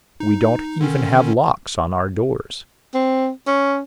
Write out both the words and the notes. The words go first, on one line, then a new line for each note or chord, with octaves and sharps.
We don't even have locks on our doors.
D#4
D3 D#3 C#4
C4
C#4